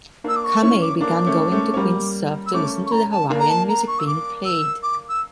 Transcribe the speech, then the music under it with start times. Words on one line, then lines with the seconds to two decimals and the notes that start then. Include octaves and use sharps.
Kamae began going to Queen's Surf to listen to the Hawaiian music being played.
0.24 A#3 D4 E6
0.36 D6
0.44 C#6
0.62 C#4 E4 C#6
0.81 D6
1.01 A#3 D4 D6
1.26 A3 C#4
1.52 A3 C#4
1.74 C#4
1.77 G3 A#3
2.47 E6
2.53 A3 C#4 D6
2.86 C#6
2.92 A#5
3.12 A5
3.30 A#3 D4
3.40 A#5
3.50 A5
3.69 A#5
3.87 C#6
3.99 E6
4.07 D6
4.45 E6
4.83 D6
5.09 E6